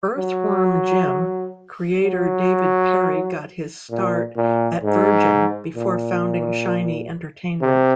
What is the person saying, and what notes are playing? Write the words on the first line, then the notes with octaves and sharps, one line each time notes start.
"Earthworm Jim" creator David Perry got his start at Virgin before founding Shiny Entertainment.
F#3
F#3
A#2
A#2
G#2
A#2
C3